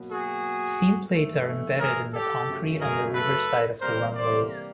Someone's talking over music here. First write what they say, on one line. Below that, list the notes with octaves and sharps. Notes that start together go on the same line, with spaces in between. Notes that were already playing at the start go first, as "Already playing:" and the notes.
Steel plates are embedded in the concrete on the river side of the runways.
Already playing: B2 F#3 A#3
F#4 G#4
G2 E3 A3
G#4 A#4
G4 A4
F#2 C#3 F#3 A3
G#4 A#4
A4 B4
C3 E3 G3 A#3 A#4 C5
C5 D5